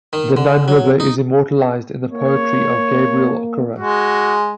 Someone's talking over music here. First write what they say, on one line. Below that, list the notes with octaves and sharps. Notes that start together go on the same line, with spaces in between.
The Nun River is immortalised in the poetry of Gabriel Okara.
D#3
D3
F#3
D#4
A#3 C#5
G#3 F#4